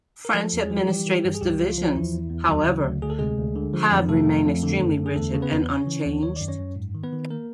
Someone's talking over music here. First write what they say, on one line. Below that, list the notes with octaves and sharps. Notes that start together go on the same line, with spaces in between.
French administrative divisions, however, have remained extremely rigid and unchanged.
A#4
F3 A3 A4
E2
G#3 G#4
F3
E3 G3 G4
E3
G2
G#4
C#2 G3 G4
C#2
E4
F3 F4
F3
E2 E3 E4
E2
E2
D2 F#3 F#4
C#3
D2
D2 G#4
A4
C3 G#3 G#4
D2
D3
F3
F2
C3 A3 A4
F2
F2
D3
F#2
D3
G#4
E2 A3 A4
C#3
B3 B4
E2
C#3 C#4 C#5
E3
D#2
D#3 C#5
F#2 D5
C#4 C#5
F#2
G#2
D#3
B3 B4
D#3
A#3 A#4